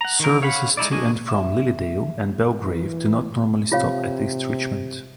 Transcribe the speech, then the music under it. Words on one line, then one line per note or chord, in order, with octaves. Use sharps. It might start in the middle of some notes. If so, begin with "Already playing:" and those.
Services to and from Lilydale and Belgrave do not normally stop at East Richmond.
F#5 A#5
D#3 A#4
C#5 F5 F#5 B5
G#3 D#4 E4 D5
D4 F#4 D#5 G#5
E5
E3
C3 F4 C#5 F5